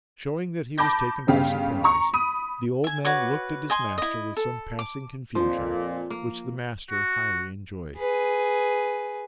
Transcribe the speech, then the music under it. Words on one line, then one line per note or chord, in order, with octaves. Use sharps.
Showing that he was taken by surprise, the old man looked at his master with some passing confusion, which the master highly enjoyed.
A5 B5 D6 G6 A#6
G1 C#3 G4 F5
A#5 C#6
B5 D#6 D#7
E5 G#5
F#4 B4 C#5 D6
D#5 G#5 C6
E4 D#5
A4
D6
F2 A#2 F3
A#3
F#4
G#4 B4